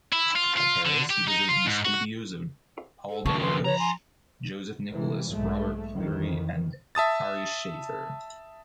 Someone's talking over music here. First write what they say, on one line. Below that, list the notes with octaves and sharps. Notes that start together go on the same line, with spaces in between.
At Paris, he visited the studios of Paul Delaroche, Joseph-Nicolas Robert-Fleury and Ary Scheffer.
E4
F4
F4
D3
G4
D#4
F4
G#2
F#4
A4
D#2 C#3 F3 A5 C#6
B4 C6
C#5 A5 A#5
G#5 C6
C3 E3 G#3
B1 G#2 G#3 A3
F2 D#3 E3
E5 A5 D#6 A6